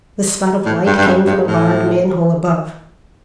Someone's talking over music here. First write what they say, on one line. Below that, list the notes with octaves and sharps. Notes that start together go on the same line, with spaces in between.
The spot of light came from a barred man-hole above.
A2
G2
G2
F#2
G2
A2